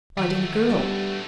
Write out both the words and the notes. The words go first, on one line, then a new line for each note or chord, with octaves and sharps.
"Finding the girl."
D#3 F#3 A3 F#5
G3 B3 D4